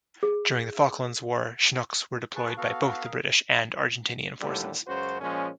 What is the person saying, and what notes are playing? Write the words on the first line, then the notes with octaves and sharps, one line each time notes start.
During the Falklands War, Chinooks were deployed by both the British and Argentinian forces.
G#4
G#4 B4 A5 C#6
B3 F#4 A4 F5
G#4 A#4
D#2 A2 D3 G3
C#2 F#2 C#3 F#4 C5
A#2 F3 G#3 C#4